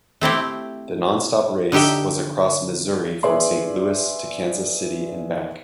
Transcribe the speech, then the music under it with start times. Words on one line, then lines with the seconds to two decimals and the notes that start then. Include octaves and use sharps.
The non-stop race was across Missouri from Saint Louis to Kansas City and back.
0.21 A3 C4 E4 G4
1.72 D3 D#4 G4 E5 G5
3.23 G#4 B4 D5 E5 C6